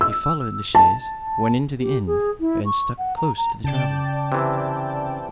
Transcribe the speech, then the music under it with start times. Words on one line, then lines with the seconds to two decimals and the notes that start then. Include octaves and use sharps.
He followed the chaise, went into the inn, and stuck close to the traveller.
0.01 E6
0.75 A5
1.80 G4
2.07 G#4
2.41 E4
2.66 C#6
2.98 F#5
3.17 A#5
3.37 A#5
3.64 C#3 D5 G5 A5
4.32 C3 E3